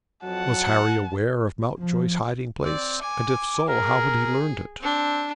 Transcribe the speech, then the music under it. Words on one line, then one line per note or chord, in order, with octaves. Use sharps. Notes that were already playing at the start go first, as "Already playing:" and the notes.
Was Harry aware of Mountjoy's hiding-place, and if so, how had he learned it?
F2 F#3 F#5 A5
F3
C4 D5
G#5 D6
G#4 A#4
C4 D4